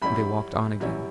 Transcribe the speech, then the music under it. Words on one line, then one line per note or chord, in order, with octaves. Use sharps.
And they walked on again.
F#2 E3 G3 C#4 B5
F#2 E3 G3 C#4